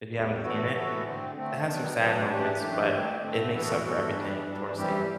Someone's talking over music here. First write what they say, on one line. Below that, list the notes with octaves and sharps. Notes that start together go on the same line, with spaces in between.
if you haven't seen it. Um, it has some sad moments, but it makes up for everything towards the end.
E2 D3 G3
A2 E3 B3 F#4 A4
A2 E3 B3 F#4 A4
D3 A3 C4
D3 A3 C4
B2 F#3 B3 D4
B2 F#3 B3 D4
F#2 E3 A3 D4 G4
F#2 E3 A3 D4 G4
D3 A3 C4
D3 A3 C4
E3 B3 F#4 A4
E3 B3 F#4 A4
E3 G3 D4
E3 G3 D4
F#2 E3 G3 C4 G4